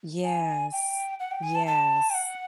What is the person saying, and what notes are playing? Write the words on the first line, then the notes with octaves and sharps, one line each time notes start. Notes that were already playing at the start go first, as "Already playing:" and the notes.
Yes. Yes.
G#5
G5
F#5
G5
G#5
A5
A5
G5
F#5